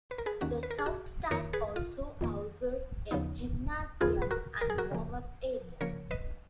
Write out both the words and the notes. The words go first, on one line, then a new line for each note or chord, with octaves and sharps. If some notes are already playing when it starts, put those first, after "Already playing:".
The South Stand also houses a gymnasium and warm up area.
B4
A#4
G#4 B4
D#2 D#3 A#3 C#4 F#4
B4
A#4
G#4
F#4
F2 D#3 A#3 A#4 C#5
G#4 B4
F4
F2 D#3 A#3
D#2 C#3 F3 B3 D#4
D#2 C#3 F3 B3 D#4 F4 G#4
B4
F#4 A#4
A#4
G#4
F#4 A#4
C#3 F3 A#3
C#3 F3 A#3 A#4 C#5
B4 D#5